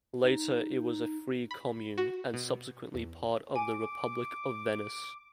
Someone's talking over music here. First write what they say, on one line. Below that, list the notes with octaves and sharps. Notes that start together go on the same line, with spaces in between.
Later it was a free commune, and subsequently part of the Republic of Venice.
D#4
B5
F#4
B2
E2
G#5 D6